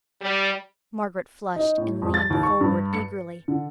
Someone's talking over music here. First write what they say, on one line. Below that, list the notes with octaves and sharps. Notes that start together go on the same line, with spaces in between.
Margaret flushed and leaned forward eagerly.
G3
D#4
A2
F2
A6
D#2
C#6
G2
C#7
D3